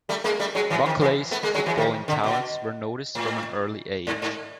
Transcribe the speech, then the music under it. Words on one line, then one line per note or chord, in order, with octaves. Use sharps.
Buckley's footballing talents were noticed from an early age.
G3 A3
G#3 A#3
G3 A3
F#3 G#3
E3 F#3
D#3 F3
E3 F#3
A3 B3
G#3 A#3
F#3 G#3
E3 F#3
D#3 F3
D3
B2
A2
G#2
G#2